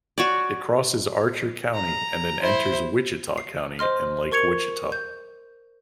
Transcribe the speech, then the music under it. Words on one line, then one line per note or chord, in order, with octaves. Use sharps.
It crosses Archer County and then enters Wichita County and Lake Wichita.
F#4 C#5 D5
A#5
E4 C5
C7
C5 D#5 C6 F6
A#4 C#6 G#6 C#7 F7
G6